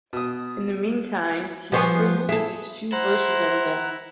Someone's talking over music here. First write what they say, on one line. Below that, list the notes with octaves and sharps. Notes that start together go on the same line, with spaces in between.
In the meantime, he scribbled these few verses on them.
B2 D#6
F3 B3 G4 G#4 C5 C#6
E4 G#4 A4
E4 C5 F#5 A#5